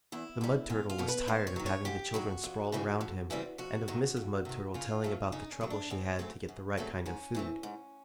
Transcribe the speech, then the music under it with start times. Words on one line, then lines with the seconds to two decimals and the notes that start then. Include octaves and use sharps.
The Mud Turtle was tired of having the children sprawl around him, and of Mrs. Mud Turtle telling about the trouble she had to get the right kind of food.
0.12 E2 E4
0.41 B2 G3
0.70 E2 F4
0.90 F4
0.98 B2 G3
1.08 B4
1.28 G#2 C5
1.47 C#5
1.56 D#3 F#3
1.66 C#5
1.85 G#2 G4
2.14 D#3 F#3 F#4
2.44 F2
2.72 C#3 E3 G3 C4
3.01 F2
3.30 C#3 E3 G3 C4
3.58 F2 F#4
3.88 C3 D#3
4.17 F2
4.45 C3 D#3
4.74 C#3 F4
5.04 F#3 A3 C4
5.32 C#3 D#4
5.52 C#4
5.61 F#3 A3 C4
5.70 D4
5.90 F#2 C4
6.19 C#3 F#3 A3 C4
6.49 F#2
6.77 C#3 F#3 A3 C4
7.06 G#2 C#4
7.35 E3 A3 C4
7.63 G#2